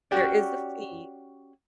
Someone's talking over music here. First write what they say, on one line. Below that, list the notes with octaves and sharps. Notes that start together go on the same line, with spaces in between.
There is a fee,
C#4 F#4 G4 D5